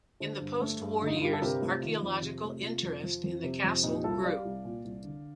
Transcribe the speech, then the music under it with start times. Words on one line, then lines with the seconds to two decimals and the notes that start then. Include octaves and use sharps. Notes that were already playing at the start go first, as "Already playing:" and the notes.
In the post-war years, archaeological interest in the castle grew.
0.20 D3 A4 C5
0.41 G2
0.61 A3
0.81 G2
1.02 D3
1.07 D#4
1.17 F4
1.22 G2 G4
1.33 A4
1.42 C3 G4 A#4
1.62 A3 F4 A4
1.82 D#3 F4
2.02 F2
2.22 C3
2.43 A3
2.62 C3 F4
2.83 F2
3.03 F3
3.24 F2
3.44 C3
3.64 F2
3.83 A#2 D#4 G4
4.04 C2 F4 A4
4.24 G3 D5 F5
4.45 C2
4.65 A#2
4.85 C2
5.05 D3